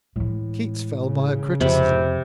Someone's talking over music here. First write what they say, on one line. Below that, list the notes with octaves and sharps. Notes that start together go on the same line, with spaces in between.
KEATS fell by a criticism.
A2 E3 G#3
C#3
F2 C3 B5